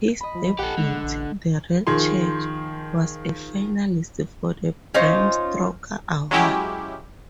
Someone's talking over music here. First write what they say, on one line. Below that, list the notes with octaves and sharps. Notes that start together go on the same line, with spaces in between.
His debut, "The Red Church", was a finalist for the Bram Stoker Award.
D#5 B5
F3
A#1 G4 A4 F#5
D3 G#3
A1
D#3 F3 G#4 C6
C#4 D#4 F4 C5
F#3 G#3 C#4 E4 G4